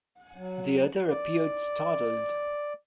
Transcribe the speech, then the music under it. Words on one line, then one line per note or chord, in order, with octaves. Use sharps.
The other appeared startled.
F#3
D5